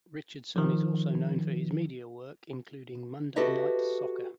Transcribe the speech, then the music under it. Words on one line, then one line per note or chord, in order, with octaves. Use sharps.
Richardson is also known for his media work, including "Monday Night Soccer".
D#3 F3
F#4 G4 A4 B4 D#5 E5